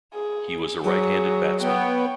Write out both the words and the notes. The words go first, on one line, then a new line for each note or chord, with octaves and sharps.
He was a right-handed batsman.
G#4
F#3 G#4
B3 C#5 G5